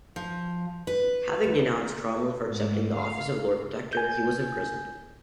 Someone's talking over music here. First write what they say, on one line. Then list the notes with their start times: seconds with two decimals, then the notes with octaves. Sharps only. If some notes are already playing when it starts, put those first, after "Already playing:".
Having denounced Cromwell for accepting the office of Lord Protector, he was imprisoned.
0.16 F3
0.87 B4
1.44 D2
2.48 G#2
2.95 F5
3.93 G#5 G6